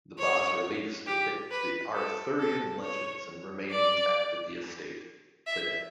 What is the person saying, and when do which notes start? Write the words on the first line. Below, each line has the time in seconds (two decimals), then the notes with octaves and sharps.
The bas reliefs depict the Arthurian Legends and remain intact at the estate today.
0.18 C#5
1.07 G4
1.51 B4
1.94 A4
2.39 A4
2.83 C#5
3.71 D5
5.47 E5